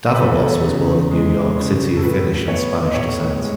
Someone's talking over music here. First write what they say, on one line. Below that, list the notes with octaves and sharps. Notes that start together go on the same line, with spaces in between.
Davalos was born in New York City of Finnish and Spanish descent.
B4
E2 A4
C#3
G#3
C#3
A4
A2 B4
B3 C#5
D#5
A2 C#5
G#3